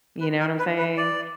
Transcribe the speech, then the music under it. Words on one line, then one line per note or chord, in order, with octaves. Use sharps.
You know what I'm saying?
B4
A#4
B4
B4
D5